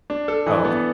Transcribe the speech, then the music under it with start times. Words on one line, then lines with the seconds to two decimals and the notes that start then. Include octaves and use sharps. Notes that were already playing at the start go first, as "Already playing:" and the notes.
Oh, okay.
0.10 D4
0.28 A4
0.46 E3
0.65 B3